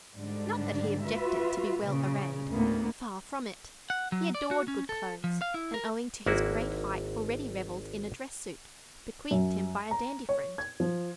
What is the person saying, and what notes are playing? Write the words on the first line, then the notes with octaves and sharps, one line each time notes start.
Not that he objected to be well arrayed; far from it; he adored good clothes, and owing to his great height already revelled in a dress-suit, bequeathed him by a dandy friend.
G#2 D3 G3 D4
F4 F#4 B4 E5
A#2 C#3
D2 A2 A#3 B3
F#5
F#3
D5
F#4
C#4
A4
F3
F5
E4
A#4
G#1 A#3 E4 F#4
F#2
A#5
C#5
G#6
F3